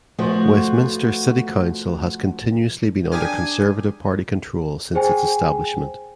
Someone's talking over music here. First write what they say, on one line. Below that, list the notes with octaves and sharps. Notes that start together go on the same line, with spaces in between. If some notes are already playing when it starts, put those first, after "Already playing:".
Westminster City Council has continuously been under Conservative Party control since its establishment.
F3 A3 B3 F#4
D4 G4 G#4 A#4 G#5
G#4 C5 G5 G#5